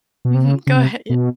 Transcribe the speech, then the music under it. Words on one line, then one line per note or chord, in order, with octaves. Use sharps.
mhm, go ahead, ye
B2
C3
C#3
C#3
C3
B2